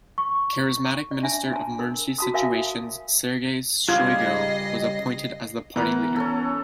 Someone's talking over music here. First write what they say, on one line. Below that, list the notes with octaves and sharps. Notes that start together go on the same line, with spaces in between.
Charismatic Minister of Emergency Situations Sergei Shoigu was appointed as the party leader.
C#6
D5
D4 E5 G#5 A5
G#5 A5
A#4
F#4 A5 D#6
A#4 E5 F5 G#5 A5
C#3 G3 F4 D#5 G#6 A#6 C7
E3 B3 A#4
C#4 A4